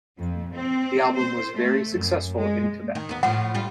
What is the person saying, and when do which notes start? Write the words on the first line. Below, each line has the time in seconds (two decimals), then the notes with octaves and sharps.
The album was very successful in Quebec.
0.19 F2
0.54 C4
1.16 C5
1.57 A3
1.95 F#2
2.36 G#3
2.95 D#3
3.09 D#2 B3
3.23 A2 F3 F#5
3.54 G3 F4